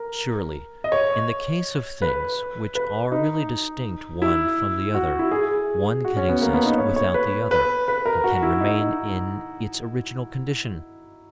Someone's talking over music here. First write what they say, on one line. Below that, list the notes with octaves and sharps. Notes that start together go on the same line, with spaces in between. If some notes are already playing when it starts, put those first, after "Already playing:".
Surely in the case of things, which are really distinct one from the other, one can exist without the other, and can remain in its original condition.
Already playing: A#4
D#5
C#5
B4
B4
D#4
E4
F#4
E4
G#4
F#4
C#4
B3
A#3
B3
D#4
C#5
C#5
B4
B4
B4
A#4
F#4
E4
D#4
D#4